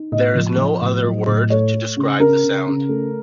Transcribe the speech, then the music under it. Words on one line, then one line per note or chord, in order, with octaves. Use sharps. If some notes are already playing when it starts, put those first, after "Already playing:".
There is no other word to describe the sound.
Already playing: D#4
A2 D#5
F3
F3
A2
F#3
A2
A3 C#5
A3
C#3
C#3 A#4
C#3
C#3
A3